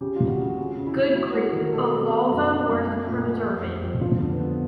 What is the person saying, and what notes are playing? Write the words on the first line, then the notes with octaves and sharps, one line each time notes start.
Good grief, a Volvo worth preserving.
C#3 G4
C#3 F4
F#4
C#3 F#4
C#3
C#3
E4
C#3
F#3 E4
A3 F#4
G#4
D#3
A#4
B2 A4
C4
G#4
B2
F#2 F#4
C#3
F#2
A3
A#2
A#2
F2
F2
F2
D3 F4
D3
B4
B3